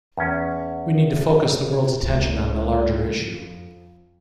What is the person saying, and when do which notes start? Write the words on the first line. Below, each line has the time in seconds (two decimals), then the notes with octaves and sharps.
We need to focus the world's attention on the larger issue.
0.17 E2 C#4
2.05 C#2
3.10 F2